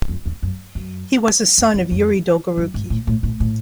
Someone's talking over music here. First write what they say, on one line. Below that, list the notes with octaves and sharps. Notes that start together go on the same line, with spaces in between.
He was a son of Yuri Dolgorukiy.
F2
E2
F#2
F#2
F2
F2
F2
F#2
G#2
A2
A2
A2
A2